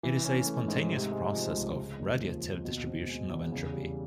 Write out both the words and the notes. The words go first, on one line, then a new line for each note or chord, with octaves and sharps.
It is a spontaneous process of radiative distribution of entropy.
E3
C#4
A3
G#2
C3
G#3
F3
C#2
C#3
D#2
F3
D#2
B2
C4
G#3
E2
C#3
G3